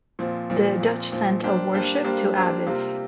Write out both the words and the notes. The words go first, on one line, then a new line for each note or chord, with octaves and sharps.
The Dutch sent a warship to Aves.
A#2 F3 C4
A#2 F3 C4
A#2 F3 C4
A#2 F3 C4
G3 A#3 D4 G4 C5
G3 A#3 D4 G4 C5
G3 A#3 D4 G4 C5
G3 A#3 D4 G4 C5
C3 G3 A#3 F4 C5